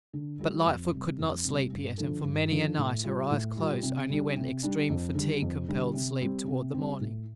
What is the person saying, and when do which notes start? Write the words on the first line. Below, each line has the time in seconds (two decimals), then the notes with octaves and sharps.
But Lightfoot could not sleep yet and for many a night her eyes closed only when extreme fatigue compelled sleep toward the morning.
0.13 D3
0.39 G3 F4 A4
0.66 F2
0.92 C3 G3
1.19 F2
1.45 C3 G3
1.72 G2
1.98 D3 F3 D4 A4
2.24 G2
2.51 D3 F3 D4 A4
2.78 A2
3.04 G3 F4
3.31 A2
3.57 G3 F4
3.83 C3
4.10 G3 D4
4.37 C3
4.63 G3 D4
4.90 F2
5.15 D3 G3
5.42 F2
5.68 D3 G3
5.94 C3
6.21 G3 C4
6.48 C3
6.74 G3 C4
7.01 A2